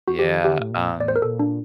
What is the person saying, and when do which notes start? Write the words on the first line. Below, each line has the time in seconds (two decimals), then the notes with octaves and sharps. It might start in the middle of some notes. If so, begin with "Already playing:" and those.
Yeah, um
0.08 F#4
0.19 D#3 G4
0.45 D3 G4
0.60 A2
0.71 A#2
0.97 A2 D5
1.08 C5
1.16 A#4
1.22 A#2 A4
1.40 D4